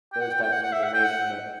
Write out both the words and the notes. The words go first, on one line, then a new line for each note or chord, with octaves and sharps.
those type of things are amazing, but
G5
F#5
G5
G5
F#5
F#5
E5
F#5
G5
F#5